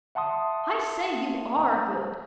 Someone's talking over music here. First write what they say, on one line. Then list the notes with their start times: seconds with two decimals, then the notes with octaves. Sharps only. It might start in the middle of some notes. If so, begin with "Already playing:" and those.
'I say, you ARE good.'
0.15 E5 F#5 A5 C6 D#6